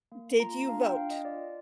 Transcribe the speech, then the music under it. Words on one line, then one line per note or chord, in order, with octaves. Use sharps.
"Did you vote?
A#3
F4 A#5
D4 F5
G5
D4 F5
D#5
F4 D5